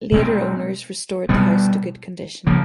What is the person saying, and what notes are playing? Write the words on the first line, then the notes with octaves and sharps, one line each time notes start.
Later owners restored the house to good condition.
B2 G#3 C4
B2 G3 B3
C#3 F3 A#3